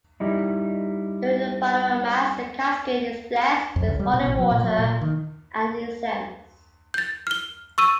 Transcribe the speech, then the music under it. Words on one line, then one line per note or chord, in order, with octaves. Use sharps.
During the Funeral Mass, the casket is blessed with holy water and incense.
G3 D#4 E4
F2
C#2
G3
B2
A1
F#3
A#2
F#3
A#2
D#3
G6 A6
F6 G7
C#6 E6 D#7